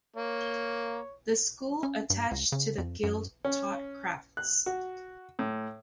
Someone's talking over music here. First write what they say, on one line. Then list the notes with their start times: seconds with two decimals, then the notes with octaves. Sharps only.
The School attached to the Guild taught crafts.
0.16 A#3 C#5
1.83 C#4
2.10 G2
2.31 C#2
2.52 C#3
2.78 F2
3.03 F#2
3.45 C#4
4.37 F#6
4.66 F#4
5.39 A2